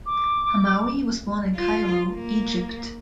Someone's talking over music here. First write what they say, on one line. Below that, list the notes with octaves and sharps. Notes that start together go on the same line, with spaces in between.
Hamaui was born in Cairo, Egypt.
D6
F4
A#3